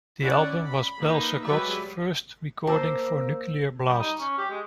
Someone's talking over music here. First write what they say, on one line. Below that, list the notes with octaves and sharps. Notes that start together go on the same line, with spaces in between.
The album was Bal-Sagoth's first recording for Nuclear Blast.
C#4 E4 D5 F#5
B5
A#3 D#4 B4
F#3 G#3 G4 B4 D5 E5
A#3 C5 A5 A#5 D6 E6
G3
D#4
C#4
G4
G#3